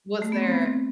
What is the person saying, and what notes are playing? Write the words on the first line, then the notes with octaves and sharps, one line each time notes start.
Was there
A3
B3
C4
B3
C4